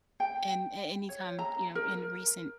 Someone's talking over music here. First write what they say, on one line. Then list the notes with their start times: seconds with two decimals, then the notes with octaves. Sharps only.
an a any time, you know, in recent
0.20 G5
1.09 C#5
1.39 A#5
1.75 A#4